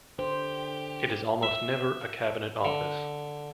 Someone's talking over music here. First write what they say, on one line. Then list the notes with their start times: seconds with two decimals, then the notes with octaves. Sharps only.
It is almost never a Cabinet office.
0.19 D3 G4 C5
1.43 E5
2.65 D3